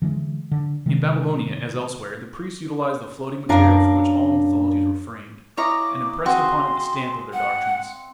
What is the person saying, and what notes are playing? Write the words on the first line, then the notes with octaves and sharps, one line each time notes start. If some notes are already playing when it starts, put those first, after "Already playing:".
In Babylonia, as elsewhere, the priests utilized the floating material from which all mythologies were framed, and impressed upon it the stamp of their doctrines.
D3 E3 G3 G#3
D3
C3 D#3 G#3
F#2 D4 A#4 F5
E4 C#5 D#5 F5 A#5 D6
C4 F#4 G#4 F5 C6
F#5